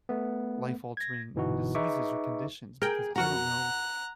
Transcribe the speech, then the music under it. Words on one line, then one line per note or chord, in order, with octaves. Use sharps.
life-altering, you know, diseases or conditions because I don't know
A3 B3
G#6 A#6
G1 B2 E3 D#4 F#4
D#4 G#4 B4 E5 C#6 D6
G#4 A#4 G5
F2 F#4 A#4 F#5 A#5 F#6